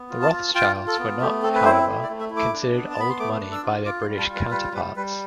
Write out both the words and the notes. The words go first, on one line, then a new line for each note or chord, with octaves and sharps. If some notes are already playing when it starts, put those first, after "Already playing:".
The Rothschilds were not, however, considered "old money" by their British counterparts.
Already playing: B3
F4
A5
F4
F4 G5
F4
A4
B3
A3 G4
C4 A4
B4
E4 C5
A3
D5
A3
E5
E4
D6
D4
B3
A5
B3 B5
C6
A3 D6
D4
E6
F4
F4 D6
C6
G3
A5
F4
B4
G3 B4
G3 B4
G3 B4